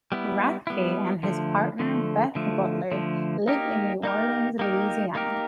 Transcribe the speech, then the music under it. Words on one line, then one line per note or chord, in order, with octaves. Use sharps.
Rathke and his partner, Beth Butler, live in New Orleans, Louisiana.
G3 B3 E4
G3 B3 E4
D3 F3 A3
D3 F3 A3
D3 F3 A3
D3 F3 A3
A#3 D#4 G4 A#4
A#3 D#4 G4 A#4
A#3 D#4 G4 A#4
A#3 D#4 G4 A#4